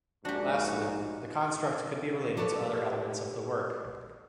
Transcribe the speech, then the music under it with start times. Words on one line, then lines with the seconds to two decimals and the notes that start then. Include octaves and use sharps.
Lastly, the construct could be related to other elements of the work.
0.25 A#1 G#2 D4 F#4 G4
2.37 G4 A4 B4 C#5 D5 A5